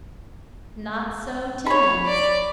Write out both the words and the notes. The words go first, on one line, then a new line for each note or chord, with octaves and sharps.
Not so Timmans.
C#5 B5
D5